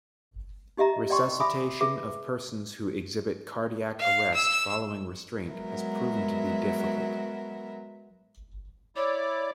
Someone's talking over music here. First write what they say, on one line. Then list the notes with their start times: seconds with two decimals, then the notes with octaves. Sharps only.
Resuscitation of persons who exhibit cardiac arrest following restraint has proven to be difficult.
0.77 D#4 G4 D#5 E5 A#5
1.10 D5 D#5 G5 C6 C#6
1.40 E5 G#5 B5 D6 D#6
1.81 G#4 B4 E5 D6
3.99 F5
4.34 E6
5.49 F#3 G#3 B3 A#4 E5
8.96 E4 C#5 D5 D6